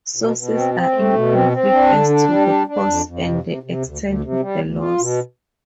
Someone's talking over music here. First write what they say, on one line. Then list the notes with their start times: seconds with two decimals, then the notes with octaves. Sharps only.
Sources are in conflict as to the cause and the extent of the loss.
0.16 B2
0.36 B2
0.55 C4
0.74 C4
0.94 A3
1.13 B2
1.32 C4
1.52 C4
1.71 D4
1.90 D3
2.10 D4
2.28 G3
2.47 D4
2.67 D4
2.85 F2
3.05 F2
3.24 C3
3.44 C3
3.63 C3
3.82 D2
4.02 D2
4.21 C3
4.40 G3
4.59 D2
4.79 F4
4.98 B2